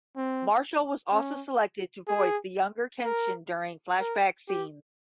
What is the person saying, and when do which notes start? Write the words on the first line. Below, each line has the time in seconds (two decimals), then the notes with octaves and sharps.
Marshall was also selected to voice the younger Kenshin during flashback scenes.
0.16 C4
1.12 C#4
2.08 G#4
3.04 A#4
4.00 A#4
4.48 G4